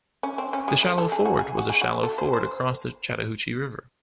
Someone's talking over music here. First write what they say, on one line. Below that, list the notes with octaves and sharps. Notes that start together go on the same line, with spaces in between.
The Shallow Ford was a shallow ford across the Chattahoochee River.
C#4
C4
C#4
G#3
A3
A4
G#4
F#4
G#4
F#4
G#4
F#4
A4
C5
C5